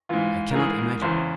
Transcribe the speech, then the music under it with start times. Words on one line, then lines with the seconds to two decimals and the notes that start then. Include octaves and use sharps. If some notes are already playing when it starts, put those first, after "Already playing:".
I cannot imagine.
0.09 G#2 E3 F4
0.51 A#4
0.56 G#2 E3 G#4
0.79 A#4
1.02 E2 C#3 E3 C5